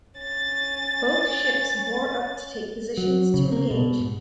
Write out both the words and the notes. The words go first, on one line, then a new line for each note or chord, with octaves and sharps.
Both ships bore up to take positions to engage.
C#4 A6
F#3
C#3
A#3
B2
G#2